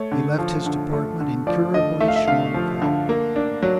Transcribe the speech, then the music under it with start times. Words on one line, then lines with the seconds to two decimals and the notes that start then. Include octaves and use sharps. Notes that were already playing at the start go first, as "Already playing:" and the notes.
He left his department incurably shorn of health.
Already playing: A3 C#5
0.12 D3
0.38 F3
0.66 D3
0.93 A3
1.20 D3
1.47 F3 D5
1.74 D3 D#5
2.00 A3 E5
2.08 F5
2.16 E5
2.28 D3 F5
2.54 F3
2.82 D3
3.09 A#3
3.36 D4
3.63 F#3